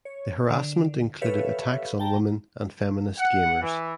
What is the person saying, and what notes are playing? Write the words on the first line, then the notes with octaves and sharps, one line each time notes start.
The harassment included attacks on women and feminist gamers.
C#5
D3
G4 A4 B4 C#5 E5 F5
G5 A5 A#5
F#5
E3